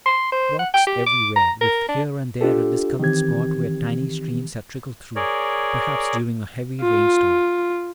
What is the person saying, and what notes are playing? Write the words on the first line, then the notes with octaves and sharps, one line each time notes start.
Rocks everywhere, with here and there a discolored spot where tiny streams had trickled through, perhaps during a heavy rainstorm.
C6
C5
F#5
G5
G4
D6
A#5
A#4
D4
D4 F4 G4 A4
D#3 E3 C4 G4 G#6
G#4 A#4 C#5 D5
F4